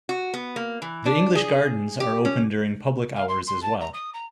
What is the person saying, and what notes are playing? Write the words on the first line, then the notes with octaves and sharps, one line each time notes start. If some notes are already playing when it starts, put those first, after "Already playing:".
The English gardens are open during public hours as well.
F#4
B3
A#3
E3
D4
G#4
G4
C#4
F5
C6
C6
A5
A#5
D#6
A#5